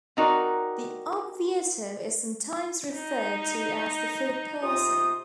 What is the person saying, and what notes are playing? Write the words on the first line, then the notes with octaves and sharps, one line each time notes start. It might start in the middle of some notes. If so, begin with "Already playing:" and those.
The obviative is sometimes referred to as the "fourth person".
C4 D#4 F#4 A#4 D5
D#4
C3 F4 D#6